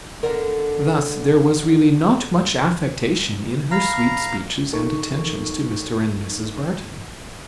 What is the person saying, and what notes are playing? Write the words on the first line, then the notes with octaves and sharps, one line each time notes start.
Thus there was really not much affectation in her sweet speeches and attentions to Mr. and Mrs. Barton.
E2 D3 A#4
F5 A#5 B5
A#1 D#4 A4 A#4 C#6